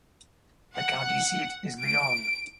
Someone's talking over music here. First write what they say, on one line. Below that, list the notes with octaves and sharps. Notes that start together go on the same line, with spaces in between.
The county seat is Leon.
F#5
D7